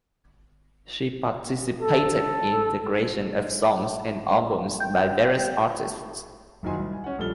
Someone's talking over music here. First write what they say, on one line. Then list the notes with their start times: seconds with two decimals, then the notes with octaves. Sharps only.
She participated in the creation of songs and albums by various artists.
1.81 A4
4.80 G5
6.63 F#1 D#2 D#4 F#4 G#5 C6
6.79 C2
6.93 G#5
7.04 C#4 F#5
7.19 A#1 G3 A4 F6 G7